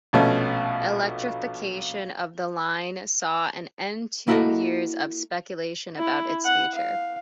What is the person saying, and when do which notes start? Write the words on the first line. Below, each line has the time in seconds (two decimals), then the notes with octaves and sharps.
Electrification of the line saw an end to years of speculation about its future.
0.13 A#1 B2 A3 C#4
4.28 A#3 E4 F#4 A4 D#5
5.98 E4
6.45 F#5
6.75 F5